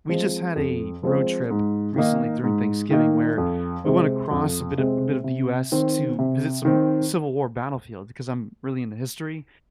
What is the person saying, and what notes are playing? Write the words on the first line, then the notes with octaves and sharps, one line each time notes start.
We just had a road trip recently during Thanksgiving where we went across a bit of a bit of the US to visit some Civil War battlefield 'cause I'm really into history,
F3 G#3 C4
F2
F3 G#3 C4
G#2
D#3 A#3 D#4
G#2
D#3 A#3 D#4
F2
C3 G#3 C4
F2
C3 G#3 C4
C3
D#3 C4
C3
D#3 C4